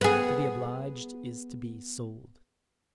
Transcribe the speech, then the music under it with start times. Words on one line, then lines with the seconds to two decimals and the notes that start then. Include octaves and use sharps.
To be obliged is to be sold.
0.01 B3 G#4